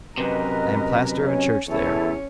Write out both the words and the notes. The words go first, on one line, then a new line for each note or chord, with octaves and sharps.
I am pastor of a church there.
F#2 C3 A#4 B4 D#5
C#4
E2 C#4 E4 A4 C#5